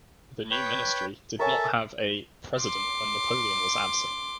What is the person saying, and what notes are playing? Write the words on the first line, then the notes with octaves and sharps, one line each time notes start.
The new ministry did not have a "president when Napoleon was absent".
B4 C#5 G5
A4 A#4 C#5 E5 G#5
C6 D6